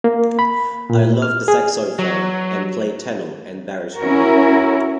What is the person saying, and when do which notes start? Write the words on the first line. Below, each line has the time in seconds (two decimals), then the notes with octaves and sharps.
I loved the saxophone and played tenor and baritone.
0.04 A#3
0.39 B5
0.90 A#2
1.22 F6
1.48 G#4
1.99 F#3
3.96 C#4 E4 F#4 A#4